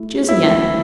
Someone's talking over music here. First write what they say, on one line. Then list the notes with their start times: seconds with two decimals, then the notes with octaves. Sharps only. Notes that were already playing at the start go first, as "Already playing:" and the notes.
Choose again.'
Already playing: A3 E4
0.29 E4